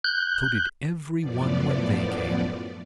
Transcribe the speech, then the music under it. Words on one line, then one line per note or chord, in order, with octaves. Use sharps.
So did every one when they came.
F#6 G6
F#2 A2 F3 B3 D5